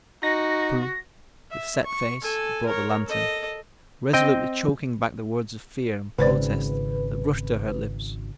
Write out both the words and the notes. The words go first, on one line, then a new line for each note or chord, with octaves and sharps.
Prue, with set face, had brought the lantern, resolutely choking back the words of fear and protest that rushed to her lips.
D#4 F#4 A#6
E5
C#6
A4 G#5
A#4 C#5
A4 D#5
C4 D#5 G5
G#1 C#3 G#3 B4 C5 D5